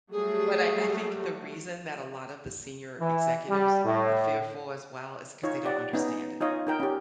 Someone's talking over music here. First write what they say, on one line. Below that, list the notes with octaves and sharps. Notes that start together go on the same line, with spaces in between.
but I I think the reason that a lot of the senior executives are fearful as well is 'cause they don't understand it.
F#3 G3 A3 G#4
E3
G3
A2
D#4 F4 C#5
G4 D5 F#5
B3 C#4 D#4
D#4 F4 C#5 D#5
D#4 A#4 G5
C#4 G4